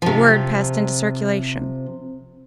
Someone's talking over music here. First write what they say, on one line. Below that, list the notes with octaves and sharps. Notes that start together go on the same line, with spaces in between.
The word passed into circulation.
C3 F3